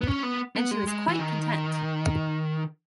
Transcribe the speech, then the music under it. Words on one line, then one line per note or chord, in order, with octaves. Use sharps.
And she was quite content.
B3
C#4
B3
B3
G#3
G#3
E3
D#3